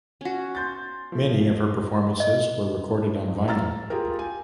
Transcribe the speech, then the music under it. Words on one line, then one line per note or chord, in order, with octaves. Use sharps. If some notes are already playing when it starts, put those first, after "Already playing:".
Many of her performances were recorded on vinyl.
C#4 F#4
C6 G6 A6
F3 A3
D#5
A1
A#5 E6 F6 A6
F4 G4 G#4 A#4
G4 G#5